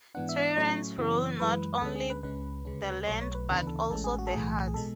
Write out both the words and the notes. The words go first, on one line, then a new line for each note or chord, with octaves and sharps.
Tyrants rule not only the land, but also the hearts.
G#2 E3 B3 D4 F#5
E5
D5
A2 F#3 A3 C#4 C#5
F#2 C#3 E3 B3
F#2 E3 G#3 B4
D2 D3 G#3 C#4 A4
G#4
B4
C#2 C#3 G#3 C#4 B4
D2 C#3 G#3 C#4
B1 B2 F#3 A3 C#5
C#5
B4
D2 C#3 E3 B3 D4 A4
B4
A4
A1 A2 G#3 C#4 A4
G#4
F#4
A4
B1 A2 E3 A3 G#4
G#4
B2 G#3 A4